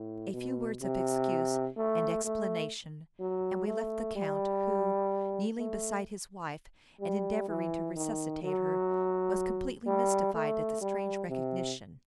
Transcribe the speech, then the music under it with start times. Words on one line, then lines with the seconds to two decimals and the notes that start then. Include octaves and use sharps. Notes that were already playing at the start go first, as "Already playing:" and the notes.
A few words of excuse and explanation, and we left the Count, who, kneeling beside his wife and endeavouring to resuscitate her, was completely mystified at the strange recognition.
Already playing: A2
0.34 B2
0.82 C3
1.77 A3
2.25 A3
3.20 F#3
3.67 A3
4.16 G3
5.58 A3
7.00 G3
7.48 E3
7.96 D#3
8.43 F#3
9.87 G3
10.34 A3
10.81 G3
11.29 C3